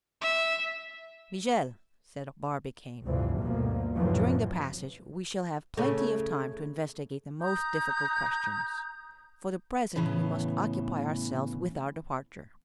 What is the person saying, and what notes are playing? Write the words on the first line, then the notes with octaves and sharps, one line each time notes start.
"Michel," said Barbicane, "during the passage we shall have plenty of time to investigate the most difficult questions. For the present we must occupy ourselves with our departure."
E5
A1 D2 G2 C3 E3 F3
D2 G2 B2 F3 A#3
A#1 F#2 A2 C3 E3 F3
C#3 A3
A#5 D#6 G6
A2 C#3 E3 B3